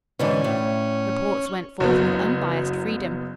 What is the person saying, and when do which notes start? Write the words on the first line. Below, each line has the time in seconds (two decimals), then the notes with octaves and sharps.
Reports went forth with unbiased freedom.
0.19 G#2 D3 E3 C#4
0.44 A2
1.80 F#1 F#3 B3